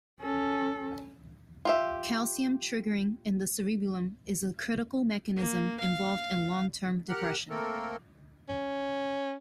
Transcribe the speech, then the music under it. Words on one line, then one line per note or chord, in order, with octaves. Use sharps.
Calcium triggering in the cerebellum is a critical mechanism involved in long-term depression.
C#4 A4
F4 G4 E5
A#3
F5
G4 A#4 F#5 F6 F#6
A3 A#3 C4 A4 A#4
C#4